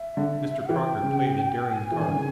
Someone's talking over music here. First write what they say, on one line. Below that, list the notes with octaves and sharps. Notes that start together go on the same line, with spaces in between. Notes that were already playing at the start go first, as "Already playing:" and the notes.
Mr. Crocker played a daring card.
Already playing: E5
D3
E3 G5
C#3
G#5
E3
D#3
D3
C#3